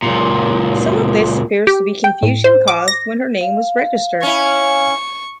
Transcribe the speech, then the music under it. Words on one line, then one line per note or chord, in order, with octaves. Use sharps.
Some of this appears to be confusion caused when her name was registered.
C#2 A#2
G4
G5
A2
C5
D6
A#6
F5
C#4 E4 C#6